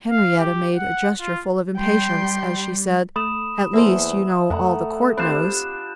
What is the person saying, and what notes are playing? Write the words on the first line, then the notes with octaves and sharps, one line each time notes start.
Henrietta made a gesture full of impatience, as she said, "At least, you know all the court knows."
F5
G4
F#5
F4
G3 G5 C6
A3 B5 D#6 E7
E2 A#3 A4 C5 E5
F2 A3 F#5 A#5
C4 D4 F4 G4 C5 B5 F#6 E7